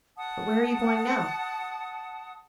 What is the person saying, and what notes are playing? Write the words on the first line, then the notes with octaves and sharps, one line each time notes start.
'But where are you going now?
F#5 A5 D#6